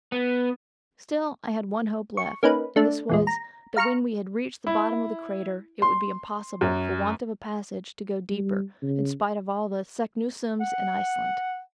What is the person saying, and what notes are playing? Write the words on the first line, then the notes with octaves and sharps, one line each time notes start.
Still I had one hope left, and this was, that when we had reached the bottom of the crater it would be impossible, for want of a passage, to go deeper, in spite of all the Saknussemm's in Iceland.
B3
C#6
A#3 C#4 D#4 B4
A3 D4
E2 A#2 G#3
A#5
F5 A#5 C#6 F6 C#7
E4
C6
F#2
G3
C#3
F#5